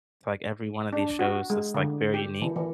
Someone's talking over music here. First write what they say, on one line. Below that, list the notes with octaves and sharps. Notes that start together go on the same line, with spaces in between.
to, like, every one of these shows is, like, very unique.
D4
F#4
G#3
D3
G4
E3
E3